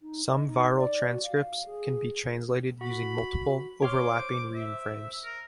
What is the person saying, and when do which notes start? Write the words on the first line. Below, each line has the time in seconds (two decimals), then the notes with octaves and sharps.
Some viral transcripts can be translated using multiple, overlapping reading frames.
0.01 D#4
0.28 D#5
0.48 D#4
0.77 D5
1.09 F#4
1.23 F5
1.66 G#4
2.81 F#4 B5
3.82 C#5 C6 D6 F6
4.16 C5
4.54 E5
5.24 A#4